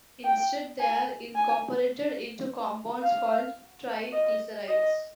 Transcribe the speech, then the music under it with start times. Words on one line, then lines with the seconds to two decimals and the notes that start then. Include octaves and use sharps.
Instead, they are incorporated into compounds called triglycerides.
0.24 G5
0.80 G#5
1.35 G#5
3.02 F5
4.13 D#5
4.68 D#5